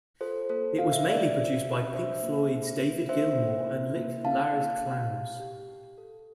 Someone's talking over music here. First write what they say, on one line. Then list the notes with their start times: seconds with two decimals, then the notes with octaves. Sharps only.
It was mainly produced by Pink Floyd's David Gilmour and Nick Laird-Clowes.
0.21 F4 A4 C5
0.49 A#3 A4 C5
0.79 E4 F5
0.92 E5
1.06 C4 D5
1.20 C5 E5
1.36 G4
1.65 G4
1.94 D4 C5 E5
2.22 A#3
2.51 E4
2.80 A#3
3.09 D4 C5 E5
3.38 A#3
3.67 E4
3.96 A#3
4.24 E4 F5 A5
4.53 A#3
4.82 G4
5.11 G4
5.40 G4
5.69 G4
5.98 A4